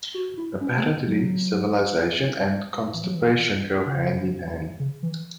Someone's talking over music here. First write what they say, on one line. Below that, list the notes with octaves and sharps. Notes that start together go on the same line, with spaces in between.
Apparently civilization and constipation go hand in hand.
F#4
E4
C#4
A3
B3
F#3
E3
F#3
E3
C#3
C#3
E3